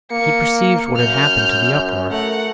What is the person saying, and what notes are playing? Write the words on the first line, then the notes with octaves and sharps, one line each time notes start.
He perceived what had happened to the uproar.
A#3 C#7
F#2 F6 G6
A3 A#4 F#5